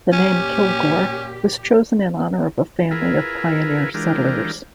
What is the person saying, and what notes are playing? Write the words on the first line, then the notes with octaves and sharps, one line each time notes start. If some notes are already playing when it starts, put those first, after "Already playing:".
The name Kilgore was chosen in honor of a family of pioneer settlers.
A#2 C#4 G4
E4 F4 G#4 A#4 B4
E3 G#3 D4 F4 G4 A#4